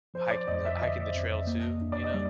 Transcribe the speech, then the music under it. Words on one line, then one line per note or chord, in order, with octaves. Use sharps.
hiking tha hiking the trail too, you know,
F3 C5
D5
F2 D#5
E5
D3 D#5
F2
A#3
D4
D5
D#5
G3